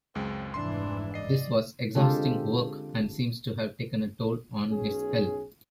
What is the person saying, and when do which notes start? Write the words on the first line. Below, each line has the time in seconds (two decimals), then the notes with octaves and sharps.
This was exhausting work and seems to have taken a toll on his health.
0.15 C#2 F#2 G#3 C4
0.54 F1 G#2 E3 D4 E4 C6
1.14 D5 D#5 C7
1.95 D3 G#3 C4 F4 G4 A4
4.69 B1 C#4 G#4